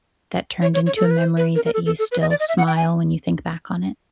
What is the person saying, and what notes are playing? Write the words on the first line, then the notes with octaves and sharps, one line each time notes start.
that turned into a memory that you still smile when you think back on it?
C#5
C#5
C#5
A4
A#4
B4
C5
B4
A#4
A#4
A4
A4
A4
B4
D#5
D5
D#5
E5
F#5
G5
G#5